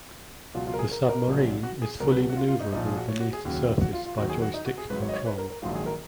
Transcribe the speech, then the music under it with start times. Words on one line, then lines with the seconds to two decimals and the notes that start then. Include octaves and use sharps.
The submarine is fully maneuverable beneath the surface by joystick control.
0.54 C#2 B2 F#3 F4
0.67 F4
0.74 A#4
0.79 G#4
0.91 A#4
1.09 A#4
1.27 A#1 A#2 F#3
1.63 F#4
1.82 G#4
2.00 C#2 B2 F#3 A#4
2.12 B4
2.29 F#4
2.36 F4
2.48 F4
2.60 D#4
2.73 A#1 A#2 F3 D#4
2.87 G#4
2.97 F#4
3.08 C#5
3.20 F#4
3.33 G#4
3.45 D#2 C#3 F#3 F#4
3.81 F#4
3.93 F4
4.05 F4
4.18 D#2 D#3 F#3 F#4
4.30 G#4
4.42 F#4
4.54 D#4
4.66 F#4
4.78 G#4
4.90 G#1 G#2 F#3 B4
5.02 C#5
5.08 D#5
5.13 C#5
5.26 B4
5.38 A#4
5.50 A#4
5.62 A#1 G#2 D#3 F#3 F4
5.75 G#4
5.86 A#4